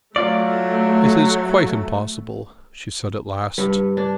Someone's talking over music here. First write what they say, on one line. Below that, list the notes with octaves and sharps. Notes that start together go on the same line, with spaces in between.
"It is quite impossible," she said at last.
F#3 A3 F4 D5
G2
D4